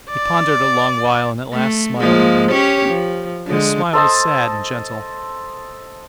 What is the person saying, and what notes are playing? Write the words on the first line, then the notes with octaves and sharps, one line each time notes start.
He pondered a long while and at last smiled again, but his smile was sad and gentle.
D5
A3
F3 G#3 A#3
C#4 G4 C#5
F3
D3 G#3
A4 C5 D#5 A5